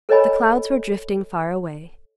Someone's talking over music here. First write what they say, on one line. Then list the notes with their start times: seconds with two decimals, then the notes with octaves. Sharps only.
The clouds were drifting far away.
0.09 A4 A#4 C#5 D#5 G#5 B5